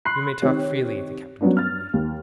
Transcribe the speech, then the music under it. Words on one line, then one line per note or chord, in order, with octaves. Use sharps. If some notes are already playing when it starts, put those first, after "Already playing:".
"You may talk freely," the captain told me.
B5 C6 F#6 C7
D#3 C4 G4 C#5
F#3 G3 B3 C#4 D4
F6 A6
D#2